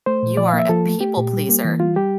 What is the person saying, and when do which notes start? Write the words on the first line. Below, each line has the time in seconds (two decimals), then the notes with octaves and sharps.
You are a people pleaser.
0.06 A3 C5
0.23 A#2
0.37 F3 D5
0.48 F5
0.53 A#3
0.59 E5
0.69 F3 A4
0.86 A3
1.01 A3 G4
1.17 A#2
1.33 G3
1.49 A#3
1.64 E3
1.80 G3 F4
1.96 G3 G4